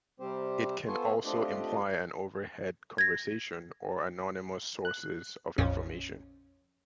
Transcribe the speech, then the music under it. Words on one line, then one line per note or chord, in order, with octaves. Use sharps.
It can also imply an overheard conversation or anonymous sources of information.
C3 G3 C4 G4 C5
B3 F4 A4 C5 C#5 G#5
A3 C4 D4 F4 G4 D#5
G#6 A#6
F#6
A#1 F2 C#4